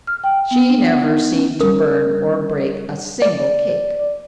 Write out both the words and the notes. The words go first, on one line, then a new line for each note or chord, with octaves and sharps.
She never seemed to burn or break a single cake.
F6
G5
B3
D4
F#5
D#4
C#4
G3 C#4 D4 A#4
D5